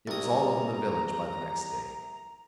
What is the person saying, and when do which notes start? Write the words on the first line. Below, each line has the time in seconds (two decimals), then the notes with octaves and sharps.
It was all over the village by the next day.
0.07 C2 A#5 D#6